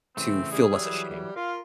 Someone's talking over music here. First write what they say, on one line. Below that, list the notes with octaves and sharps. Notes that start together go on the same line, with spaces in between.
to feel less ashamed?
C#3 E3 A3 C4
G3 G#4
E3 F#3 E6
F4 A#4 F5